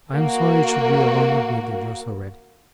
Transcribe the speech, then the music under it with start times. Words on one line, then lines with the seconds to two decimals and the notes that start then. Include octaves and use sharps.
I am sorry it should be along of me that you're so ready.'
0.13 A#3 F#4